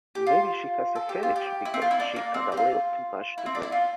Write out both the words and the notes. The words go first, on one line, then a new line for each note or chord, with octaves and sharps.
Maybe she has a headache because she had a little too much to drink.
G4
F4
A4
G4
F4
G4
E4
C4
F4
E4
D4
A#3
C4
G4
F4
E4
C4
D4
E4
F4